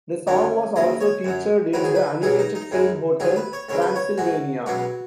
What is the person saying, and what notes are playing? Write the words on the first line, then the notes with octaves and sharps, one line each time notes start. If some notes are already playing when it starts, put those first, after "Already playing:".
The song was also featured in the animated film Hotel Transylvania.
F#2 D#3 F#3 C#4
D#2 C#3 F#3 D#5
C#5
F#2 F#3
G#2 D#3 F#3 B4
G#4
B4
C#2 B2 F#3 G#4
D#4
D#4
F#2 C#3 G#3
G#2 D#3 F#3 G#4
B4
C#5
C#2 C#3 G#3 C#5
B4
C#5
G#2 G#3 F#4
C#2 B2 F#3 F#4